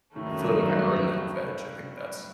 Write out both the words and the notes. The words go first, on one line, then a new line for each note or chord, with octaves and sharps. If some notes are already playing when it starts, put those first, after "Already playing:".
I feel like I earned that veg. I think that's
D#2 A2 D#3 F#3 A3
F#2
G2
F#2
G2